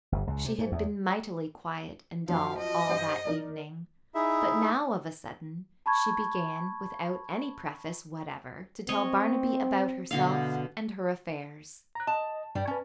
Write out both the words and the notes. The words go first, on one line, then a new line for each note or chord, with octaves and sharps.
She had been mightily quiet and dull all that evening, but now of a sudden she began, without any preface whatever, to tell Barnaby about herself and her affairs.
G1
C#2
C3
G#2
E2
F#2 F3 F5
D#5
G2 C5 F#5
D#4 A#4 D5
D#4 E4 G#4 E5
A5 B5 C#6 G#6
C4 C#5 D#5 C#6
B2 D3 F5
A#5 F#6
D#5 A5
G2 G3
C#4 B4 A5